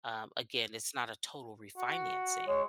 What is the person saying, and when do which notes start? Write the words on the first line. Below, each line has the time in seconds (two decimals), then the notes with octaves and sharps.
Um, again, it's not a total refinancing,
1.78 F#4
2.48 G#3 C#5